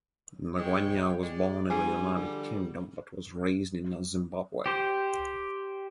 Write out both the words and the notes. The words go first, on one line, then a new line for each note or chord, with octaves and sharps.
Ngwenya was born in the United Kingdom but was raised in Zimbabwe.
G#3 C#5 G5
G#3 D5
G2 G3 G#4 G#5
D3 F3 G3
G4 C5